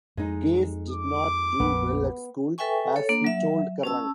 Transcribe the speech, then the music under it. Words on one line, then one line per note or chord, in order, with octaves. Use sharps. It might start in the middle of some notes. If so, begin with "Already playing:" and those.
Gaze did not do well at school: as he told Kerrang!
F2 G#3 D#4
D6
A#1 F2 A#3 B3
A4 B4 E5 G5 G#5 C#6
A4 C#5
A#3 D4
F#3 E5
C#4 A5 E6